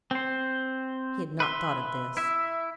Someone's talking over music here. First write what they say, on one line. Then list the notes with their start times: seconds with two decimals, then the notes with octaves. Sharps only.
He had not thought of this.
0.11 C4 C5
1.40 B4 E5 C6
2.17 E4 E5